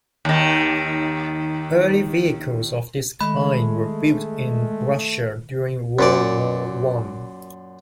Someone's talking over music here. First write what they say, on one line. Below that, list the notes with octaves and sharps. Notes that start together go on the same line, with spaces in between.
Early vehicles of this kind were built in Russia during World War I.
D#2 D#3
D#3 G#3 A3 B5
F#2 A#2 D5